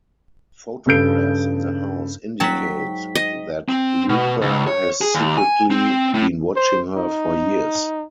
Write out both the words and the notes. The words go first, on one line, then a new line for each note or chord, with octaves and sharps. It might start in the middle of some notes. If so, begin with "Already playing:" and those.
Photographs in the house indicate that Luther has secretly been watching her for years.
G2 C#3 A4 G6 D7
D#1 F#3 F#4 G5 A5 B6
G#2
D#5
C4
B2
C#2
C#5
G#4
D#2
G#5
C4
A2
C5
D#4